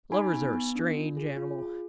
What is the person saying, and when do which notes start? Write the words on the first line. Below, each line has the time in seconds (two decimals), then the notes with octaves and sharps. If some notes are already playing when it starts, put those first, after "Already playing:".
Lovers are a strange animal.
0.12 D#4 G#5 B5
0.33 B3
0.53 B3
0.75 D4
0.95 F4
1.17 G#4
1.37 F4
1.58 G#4